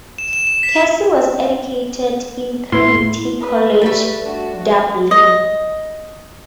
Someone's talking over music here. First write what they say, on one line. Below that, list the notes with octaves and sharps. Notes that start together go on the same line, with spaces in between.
Casey was educated in Trinity College Dublin.
E7
E7
E7
B6
A2 E4 C6
B4
G3 A3 B4
D4 F#4
D#5